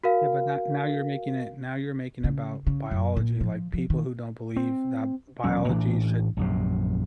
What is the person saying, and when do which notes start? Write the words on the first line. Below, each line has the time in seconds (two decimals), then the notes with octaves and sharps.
Yeah, but now now you're making it now you're making about biology, like, people who don't believe that biology should
0.04 F#4 A#4 F5
2.24 C#3
2.67 C#3
2.91 F#2
3.17 A#2
3.41 F3
3.74 F3
3.90 D#3
4.56 C4
5.44 E1 F#3 C#4
5.69 A2 E3 D4
6.37 A#1 F#2 C3